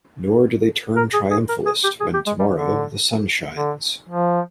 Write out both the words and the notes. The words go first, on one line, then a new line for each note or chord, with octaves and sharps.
Nor do they turn triumphalist when, tomorrow, the sun shines.
A#4
G#4
G#4
A#4
G#4
G4
G#4
G4
G#3
G3
D3
D3
F3